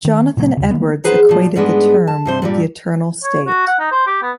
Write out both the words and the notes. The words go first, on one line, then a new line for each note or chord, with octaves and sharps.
Jonathan Edwards equated the term with the eternal state.
D#3
A#2 C#3 F#3 A#3
D#2 C#3
D#3 A#3 B3
D#4 G#4 B4 C5 F#5
A#2 F3
G#2 G3 G#3 B3 D4
A5
G2 C3 C5
G2 A#2 G3
C#5
F#4
F#5
D#4
C5
G4
B3